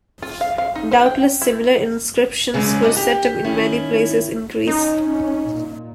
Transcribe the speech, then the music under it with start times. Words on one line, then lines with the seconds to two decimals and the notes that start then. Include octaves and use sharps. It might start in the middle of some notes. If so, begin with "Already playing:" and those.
Doubtless similar inscriptions were set up in many places in Greece.
0.22 F4
0.41 F5
0.58 F5
0.75 D#4
0.91 C5
1.06 G5
1.42 E4
2.54 F#2 C#3 G#3 C4 B4 D5
2.82 D4 E4 F#4 D#5
2.97 G4
3.44 D#3 C#4 E4
4.67 C#4 D#4
5.51 A#2